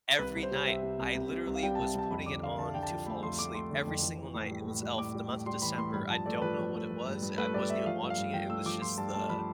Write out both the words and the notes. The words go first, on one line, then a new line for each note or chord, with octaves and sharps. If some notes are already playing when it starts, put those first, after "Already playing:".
every night, I literally was putting it on to fall asleep. Every single night, it was Elf. The month of December, I don't know what it was, I wasn't even watching it, it was just the
C2 B4
C2
C5
C3
C2 E5
C3
C2
C2
C3
C2
F5
G3 G5
A5
C2
C2 A5
F2 B5
D3 D6
D3 F5
D3 A5
D3 G5
A5
F3
A3 B5
F2 C6
A3 D6
A3 C6
D3
F2
E3
E3
A2
G3
A2
G3
A2 D6
G3
A2
G3 C6
E3 B5
A2 C6
G2 B5
F3 A5
A3 D5
F3 B4
F3
A3
F3
G2
G2
A3 B4
G2 D5
A3 E5
F3 F5
G2
F5
G2
F3 G5
A3 E6
F3 D6
F3 C6
G2 A5
A3 A5
F3 B5